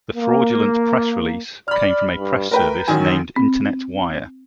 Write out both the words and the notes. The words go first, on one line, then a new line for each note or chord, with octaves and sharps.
The fraudulent press release came from a press service named Internet Wire.
A#3
D5 B5 F6
G2
A3 A#4 B4 G5
A1 D#3 F#3 G#5
C4